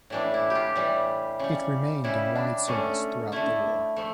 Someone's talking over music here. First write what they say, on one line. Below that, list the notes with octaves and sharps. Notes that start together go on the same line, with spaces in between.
It remained in wide service throughout the war.
A2 E3 G3 D4
E4
G4
F4
A2 E3 G3
C#3 G3
C#3 G3 E4
D4
D3 A3 C#4
D3 A3 E4
F3 A3